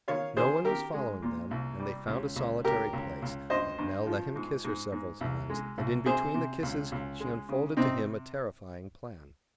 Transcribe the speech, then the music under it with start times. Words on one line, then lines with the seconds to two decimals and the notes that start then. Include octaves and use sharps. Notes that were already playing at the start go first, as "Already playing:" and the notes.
No one was following them, and they found a solitary place, and Nell let him kiss her several times, and in between the kisses she unfolded to him a terrifying plan.
0.08 D#3 C#5 F5
0.37 D#3 G#4 C5
0.65 D#3 G4 A#4
0.94 G#3
1.22 A#2
1.51 C2
1.80 G3
2.07 C#2
2.36 C#2
2.64 C#2 G4 A#4
2.93 C#2
3.22 C#2
3.50 G2 C5 D#5
3.79 G2
4.07 F3
4.36 G#2
4.65 G#2
4.92 G#2
5.21 C2
5.50 G#3
5.78 C2
6.06 C3 G#4 C5
6.34 C3
6.63 C#2
6.92 C#2
7.20 G#3
7.49 C#3
7.77 C3 C4 D#4